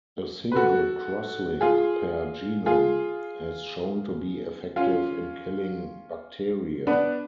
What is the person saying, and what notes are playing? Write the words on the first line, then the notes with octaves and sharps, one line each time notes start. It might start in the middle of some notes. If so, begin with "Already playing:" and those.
A single crosslink per genome has shown to be effective in killing bacteria.
B4
F#4 A4
F4 G#4
F4 G#4
C#4 F4
B3 D4